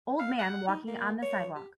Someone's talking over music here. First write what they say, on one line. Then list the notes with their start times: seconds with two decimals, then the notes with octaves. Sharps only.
Old man walking on the sidewalk.
0.19 F5
0.39 F#5
0.68 D#4
0.88 A#3
1.22 C#5
1.56 G4